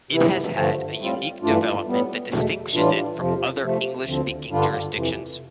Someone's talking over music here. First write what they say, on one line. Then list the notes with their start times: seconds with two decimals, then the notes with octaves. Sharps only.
It has had a unique development that distinguishes it from other English-speaking jurisdictions.
0.11 C3 E3 B3 E4
0.55 G2 D3 F3 A3
0.99 A2 G3 C4 F4
1.43 G2 E3 A3 D4 F4
1.87 A2 G3 B3
2.31 E2 B2 A3
2.74 A2 E3 G3 D4 F4
3.18 F2 C3 F3
3.62 C3 F3 A3
4.06 D2 D3 F3 C4
4.50 G2 D3 G3 D4 F4
4.94 F2 C3 E3